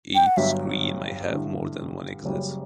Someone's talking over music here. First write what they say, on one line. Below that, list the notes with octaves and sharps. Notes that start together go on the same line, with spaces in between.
Each screen may have more than one exit.
G5
F#5
G1 G2 F#3 E5
G2 D3 A3 E4
F#1 F#2 C#3 G3